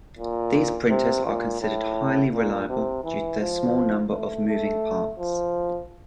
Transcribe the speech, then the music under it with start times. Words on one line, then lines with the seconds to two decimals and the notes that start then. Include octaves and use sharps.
These printers are considered highly reliable due to their small number of moving parts.
0.18 A#2
0.89 C3
1.25 A#2
1.61 A2
2.32 A#2
2.69 C3
3.04 E3
3.40 F3
4.11 A3
4.47 A3
5.19 F3